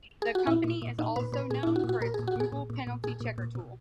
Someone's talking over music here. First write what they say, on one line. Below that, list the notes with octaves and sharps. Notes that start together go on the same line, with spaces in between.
The company is also known for its Google Penalty Checker tool.
G#4
F#4
A#2 E4
A#2
A#2
A#2 D#4
A#2 B4
A#2 B4
A#2 G#4
A#2 E4
F#4
A#2
F#4
A#2 A#4
A#2 G#4
F#4
A#2 G#4
A#2
A#2
A#2
A#2 G#4
A#2
A#2
B2